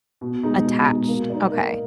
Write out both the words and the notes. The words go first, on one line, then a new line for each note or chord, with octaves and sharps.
Attached, okay.
B2
G#3 D#4
B2
G#3 D#4
A#3
D#4 A#4 D5
A#3